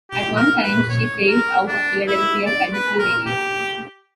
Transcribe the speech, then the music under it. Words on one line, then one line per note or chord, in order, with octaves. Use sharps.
At one time she sailed out of Philadelphia, Pennsylvania.
G4
A#4
B4
C#5
A#4
D4
E4
D5
B4
A#4
G4